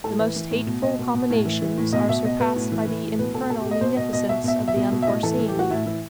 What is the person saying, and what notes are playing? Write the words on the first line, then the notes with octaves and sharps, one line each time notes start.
The most hateful combinations are surpassed by the infernal munificence of the unforeseen.
A2 A4
E3 B4
E3
A2
B2
B2 D#5
B2
B2
A2
E3
E3
A2
B2 D#5
B2 E5
B2 D#5
B2 B4
A2
E3
E3
A2
B2 B4
B2 A4
B2 A4
G4
B2
D#5
B2 C5
B2 D#5
B2 D#5
B2 E5
B2 E5
B2
E5
B2
B2
E5
A2 D#5
E3 A4
E3
G4
A2 F#4
A2 E4
E3 E4